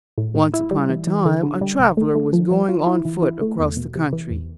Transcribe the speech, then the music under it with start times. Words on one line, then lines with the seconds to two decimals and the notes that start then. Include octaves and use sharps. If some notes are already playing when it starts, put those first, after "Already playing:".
Once upon a time, a traveler was going on foot across the country.
0.18 A2
0.35 A2
0.54 E4
0.71 G3
0.89 E3
1.07 E3
1.25 D3
1.43 D3
1.61 G3
1.79 C2
1.97 A3
2.15 A3
2.33 F3
2.51 F3
2.69 F4
2.87 E4
3.05 E3
3.23 E4
3.41 A3
3.59 E2
3.77 B2
3.95 C3
4.13 E3
4.30 E2